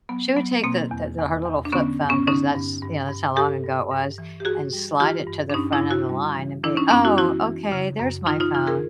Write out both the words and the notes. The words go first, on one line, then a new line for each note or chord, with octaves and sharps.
she would take the the her little flip phone, 'cause that's you know, that's how long ago it was, and slide it to the front of the line and be, "Oh, okay, there's my phone."
F#3 B3
F#3 B3
B2 A#3 C4
E2
E2
E2
D4
D3 B3 C#4
G2
B3 C#4
D3 C#4 D#4
G2
G2
G2
G2 G4 A4
G2
G2
E3
G4
G2 F#4 G#4
G3
E3 F4 G4
G2
D4
G2 C#4 D#4
D4 E4
G2
E4 F#4
G3
E3
E3 D4 E4
C#4 D#4
F#2 B3 C#4
E4 F#4
E3 E4 F#4
E3
C#3
F#2
E3 D#4 F4
D#4 F4
E3 D#4 F4
G#4 A#4